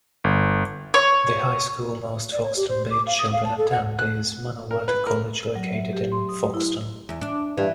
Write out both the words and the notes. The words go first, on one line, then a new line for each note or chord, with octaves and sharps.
The High School most Foxton Beach children attend is Manawatu College located in Foxton.
G1
C#5
D5
C#5
G4
C5
D6
F5
D#6
F5
A5
A4
F#5
F#6
A#4
B4
A#4
F#3
E5
G4
C6
D#6
E4
E2
D4
G2 E3